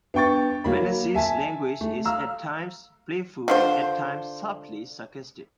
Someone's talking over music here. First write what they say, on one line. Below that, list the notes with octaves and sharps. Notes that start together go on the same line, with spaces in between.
Menasse's language is at times playful and at times subtly sarcastic.
B3 D4 G5 C#6 A6
F#3 A#3 B5
E5 G#5 A5 B6
A3
F5 A#5 E6 F6
D3 F4 C5